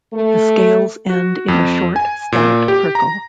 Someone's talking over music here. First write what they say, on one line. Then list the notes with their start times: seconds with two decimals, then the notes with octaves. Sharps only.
The scales end in a short stout prickle.
0.13 A3
1.10 F#4
1.48 F2
1.96 G#5
2.32 A#2
2.68 G4
2.95 A#5